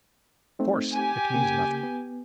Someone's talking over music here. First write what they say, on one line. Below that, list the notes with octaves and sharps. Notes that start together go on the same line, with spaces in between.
'Of course, it means nothing.'
A3 C4 D#4
G4 G#5
C#3 A#3
B3